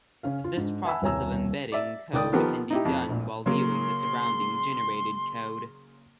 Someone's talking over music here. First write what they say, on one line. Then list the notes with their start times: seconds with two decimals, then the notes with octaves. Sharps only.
This process of embedding code can be done while viewing the surrounding generated code.
0.23 C#3 C#4 F5
0.44 F4
0.57 G#2 D4
0.85 E5 F#5 G#5 A5 B5 E6
1.02 D#1 C2 C#5 G#5 A#5 E6
1.72 D5 E5
2.13 C#2 D#3 D5 G5 D#6
2.33 D#3 F3 B3 G4 A4 A#4
2.70 D#4 E4 G4
2.85 F2
3.08 A#1 A#2
3.46 C#3 F#3 A#3 C6